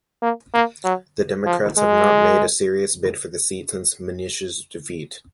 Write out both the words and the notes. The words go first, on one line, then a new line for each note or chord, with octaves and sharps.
The Democrats have not made a serious bid for the seat since Minish's defeat.
A#3
A#3
F#3
F3
G#3